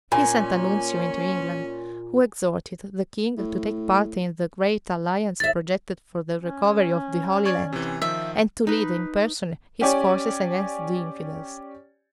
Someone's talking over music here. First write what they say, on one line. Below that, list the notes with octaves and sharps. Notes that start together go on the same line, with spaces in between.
He sent a nuncio into England, who exhorted the king to take part in the great alliance projected for the recovery of the Holy Land, and to lead in person his forces against the infidels.
A#2 C#4 G#5
A2
D#2 E5 A6
C#4
D5 C#6 G#6
C3 E3
D#3 F3 E5
D#4 B4
C#4 G4 C#5 D5 G#5